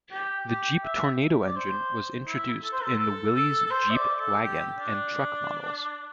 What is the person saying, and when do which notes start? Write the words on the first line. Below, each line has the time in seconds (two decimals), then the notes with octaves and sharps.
The Jeep Tornado engine was introduced in the Willys Jeep Wagon and truck models.
0.11 G4
0.47 G4
0.84 E5
1.46 D5
1.56 C5
2.27 E4
2.64 A4
2.72 C5
2.83 A4
2.99 A4
3.35 A4
3.65 A4
3.71 C5
3.90 E5
3.95 D5
4.19 A4
4.43 G4
4.79 D4